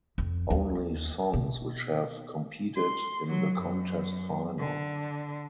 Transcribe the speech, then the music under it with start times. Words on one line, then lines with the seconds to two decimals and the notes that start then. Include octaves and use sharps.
Only songs which have competed in the contest final.
0.18 F2
0.50 D#2
1.33 B2
2.76 C6
3.26 F#3
3.58 F#2
4.57 D3